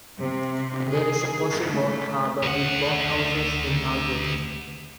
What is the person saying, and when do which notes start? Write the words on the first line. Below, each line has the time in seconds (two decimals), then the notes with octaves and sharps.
There is a cosy boat harbour with boathouses in Argir.
0.19 C3
0.92 G#4
1.68 A3
2.43 D2 F#5